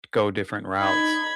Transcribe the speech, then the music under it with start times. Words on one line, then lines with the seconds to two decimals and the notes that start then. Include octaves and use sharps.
go different routes.
0.80 D#4 B5 G#6